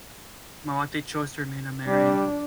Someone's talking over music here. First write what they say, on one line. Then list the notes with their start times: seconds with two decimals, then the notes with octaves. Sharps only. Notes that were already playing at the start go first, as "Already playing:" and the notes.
Mayawati chose to remain unmarried.
1.87 G3 D4